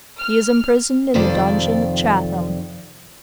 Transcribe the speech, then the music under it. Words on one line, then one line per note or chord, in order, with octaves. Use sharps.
He is imprisoned in the dungeon of Chatham.
F6
F2 C3 D#3 F4 A4 D5